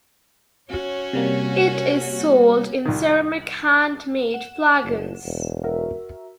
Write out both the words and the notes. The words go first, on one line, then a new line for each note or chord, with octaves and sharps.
It is sold in ceramic handmade flagons.
C#4 F#4 C#5
C3 G3 A#3
C2 D#3
F#5 E7
F#1
E1
F#4 A#4 E5